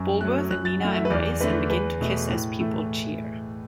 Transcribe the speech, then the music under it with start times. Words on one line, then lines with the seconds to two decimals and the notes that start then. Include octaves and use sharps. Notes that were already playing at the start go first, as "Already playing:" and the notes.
Bulworth and Nina embrace and begin to kiss as people cheer.
Already playing: F#2
0.21 F#3 A3 F#6
0.51 F#2 F#6
0.65 A6
0.80 F#3 F#5
0.85 A3
0.95 E5
1.05 B4
1.10 E2 D5
1.41 D3 A3 B4
1.70 E2 B4
2.01 B2 A3
2.30 A2
2.60 E3 A3